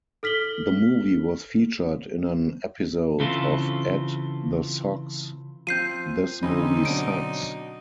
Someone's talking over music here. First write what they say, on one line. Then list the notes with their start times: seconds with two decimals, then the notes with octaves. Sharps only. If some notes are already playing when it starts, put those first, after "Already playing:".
The movie was featured in an episode of Ed the Sock's This Movie Sucks!
0.23 A4 F6 B6 F#7 G7
3.20 C#3 E3 C4 F4 A4
5.67 F3 C4 G6 C7 D#7
6.43 D3 C4 C#4 D#4 B5
6.85 B2 F#3 D4 D7